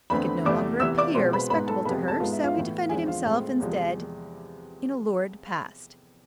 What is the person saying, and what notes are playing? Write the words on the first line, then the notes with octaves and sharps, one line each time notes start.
He could no longer appear respectable to her, so he defended himself instead in a lurid past.
E2 D3 A3 C4 B4 B5
E2 C3 E3 A3 D5 D6
C3 E3 B3 E5 E6
D5 D6
B2 G#3 C4 C5 C6
B4 B5
G#2 G#3 B3 B4 B5
A4 A5
F2 C3 G#3 B3 B4 B5
A4 A5
G#2 G#3 B3 F4 F5
E5
F4 F5
A2 E3 B3
F5
E2 D3 F3 G#3 C4 G#4 G#5
F4 F5
A2 G#3 C4
E2 C3 F3 G#3